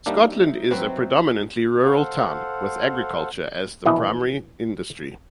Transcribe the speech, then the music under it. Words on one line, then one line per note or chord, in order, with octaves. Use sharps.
Scotland is a predominantly rural town, with agriculture as the principal industry.
G3 A#3 D4 D#4 C5 E5
F#3 C4 B4
A4 C5 F5 F#5
A#1 B2 E3 E4 D#5